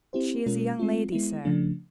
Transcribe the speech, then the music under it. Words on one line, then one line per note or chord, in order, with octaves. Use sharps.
"She is a young lady, sir."
C4 E4 G4 C5
B2 G#3 C#4 F4 A#4
G#3 C4 F4
G#3 B3 E4
C#3 F3 A3 D4